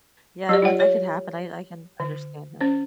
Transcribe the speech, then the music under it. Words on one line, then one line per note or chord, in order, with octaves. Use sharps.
Yeah. Well, that could happen. I I can understand that.
F#3 G4 D5
F4 C#5 F#5
C#5
D3
C#4 C5